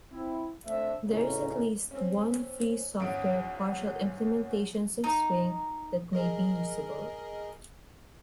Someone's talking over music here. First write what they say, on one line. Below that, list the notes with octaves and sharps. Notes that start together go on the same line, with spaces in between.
There is at least one free-software partial implementations of Swing that may be usable.
C4 E4
A3 C4 D4 C5 E5
A1 D2 A#2 C#3 C#4 D#4
C4 C#4
G#1 E2 C#4 F#5 D#6 D7
D#4
G#4 A#4 D#5